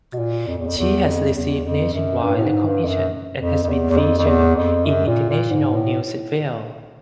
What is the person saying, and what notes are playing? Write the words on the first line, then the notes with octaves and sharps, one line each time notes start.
She has received nationwide recognition and has been featured in international news as well.
B2
A#2
F2
E2
F2
E2
F2
E2
F2
F#2
G2
A2
G#2
G2
F2
F#2
F2
F2
E2
E2
F2
F2
E2
F2
F#2
A#2
A#2
G#2
A2